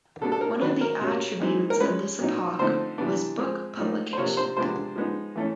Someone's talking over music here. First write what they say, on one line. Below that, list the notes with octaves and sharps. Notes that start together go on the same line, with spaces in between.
One of the attributes of this epoch was book publication.
B2 G3 B3 D4 A4
A4
A#4
D#3 F#3 A#3 B4
A#4
B2 G3 A#3 C#4
E3 G#3 C4 D#4
A#4
F3 G#3 C#4 B4
A#2 F#3 B3 D#4
D3 F3 A3 C4 D#4 C5
C3 E3 G3 B3 D4
F3 G#3 C4
A2 F3 A#3 D#4
C5
C3 F3 A#3 D4 C#5
C5
C3 F3 G#3 B3 D4 C5
F3 G#3 B3 D#4
E3 A3 C#4